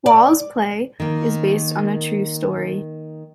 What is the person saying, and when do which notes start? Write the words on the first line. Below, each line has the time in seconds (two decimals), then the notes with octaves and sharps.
Wall's play is based on a true story.
0.06 D5
1.00 D#3 A#3